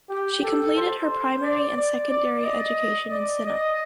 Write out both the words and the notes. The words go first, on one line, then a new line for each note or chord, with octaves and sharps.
She completed her primary and secondary education in Sinop.
G4
A4
C5
D5
D5
D5
D#5
D5
D#5